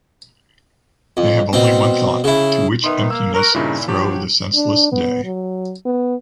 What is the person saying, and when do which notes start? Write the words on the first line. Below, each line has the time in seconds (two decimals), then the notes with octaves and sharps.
They have only one thought: To which emptiness throw the senseless day?
1.17 F2
1.53 B2 C4
2.24 C#3 E4
2.84 D#3 B3 D#4 B4 E5 C6
3.10 A#3 E6
3.34 A#4 A#5 C#6 F#6
3.54 G2 A#2 C#3 D#4 E4
3.88 F3 F#3 G4
4.56 D4
4.92 B3
5.25 F#3
5.86 B3